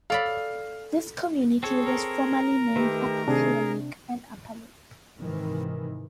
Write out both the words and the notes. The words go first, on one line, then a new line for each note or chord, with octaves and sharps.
This community was formerly named Upper Clear Lake and Upperlake.
A4 D5 F5 B5
C4 G#4 A4 C#5
A#4 A#5
D#3 A3 G4 B4
C3 D4 G#4
G#2 C3 D#3 E3